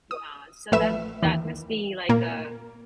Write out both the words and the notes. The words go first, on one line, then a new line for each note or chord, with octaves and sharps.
Yeah, so that that must be, like, uh
D#6
A1 F3 A3 B4 E5 E7
D#2 E3
A#2 A#3